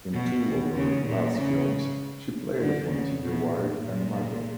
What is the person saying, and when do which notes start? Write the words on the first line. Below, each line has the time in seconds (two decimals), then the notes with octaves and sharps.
In two of her last films she played a frontier wife and mother.
0.14 B2
0.76 C#3
1.06 A#2
1.37 C#3
2.60 D3
2.91 C#3
3.22 B2
3.53 A#2
3.83 A#2